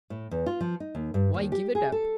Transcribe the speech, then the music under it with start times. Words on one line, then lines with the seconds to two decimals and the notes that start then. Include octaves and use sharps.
"Why give it up?"
0.10 A2
0.31 E2
0.46 F4
0.61 F3
0.80 D#4
0.95 D#2
1.14 G2
1.34 D#2
1.52 G4
1.75 G#4
1.92 A4